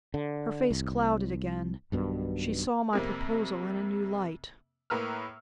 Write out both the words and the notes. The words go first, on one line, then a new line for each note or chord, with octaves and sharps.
Her face clouded again--she saw my proposal in a new light.
D3
C2
B1 G2 B2 D#3
F2 C3 A#3
A2 A#3 B4 A#5 E6 F6